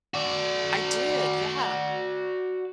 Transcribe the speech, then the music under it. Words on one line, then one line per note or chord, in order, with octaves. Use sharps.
I did, yeah.
F#4 D5